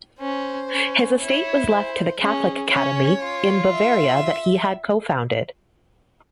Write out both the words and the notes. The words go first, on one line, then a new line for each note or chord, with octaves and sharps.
His estate was left to the Catholic Academy in Bavaria that he had co-founded.
C#4 C5
C#4
E4 C#5
C5
C#4 G#4
C#4 C#5
F4
E5